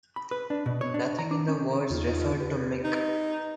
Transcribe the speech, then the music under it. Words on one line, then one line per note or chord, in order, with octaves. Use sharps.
Nothing in the words referred to Mick.
B5
B4
D4
B2
C#5
D4
A#5
D4
C#4
E2 D#4 F4
G4 B4
D#4